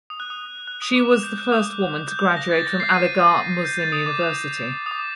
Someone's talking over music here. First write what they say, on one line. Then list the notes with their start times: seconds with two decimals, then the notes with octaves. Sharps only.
She was the first woman to graduate from Aligarh Muslim University.
0.10 D#6
0.20 F#6
0.30 D#6
0.67 F#6
0.82 D#6
0.96 D6
1.23 G6
1.38 F#6
1.52 D#6
2.08 G6
2.37 A#6
2.51 A6
2.65 A#6
2.80 C7
2.94 D#7
3.65 G6
3.79 A6
3.92 D#6
4.06 D6
4.21 D#6
4.86 D#6
4.91 D6